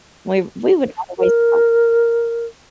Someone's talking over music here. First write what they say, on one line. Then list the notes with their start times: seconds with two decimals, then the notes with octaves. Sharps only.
we we would always, uh
1.19 A#4